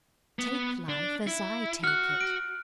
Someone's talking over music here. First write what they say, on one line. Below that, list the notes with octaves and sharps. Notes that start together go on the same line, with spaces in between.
Take life as I take it.
B3
D4
E4
F#4 F6 F#6
D7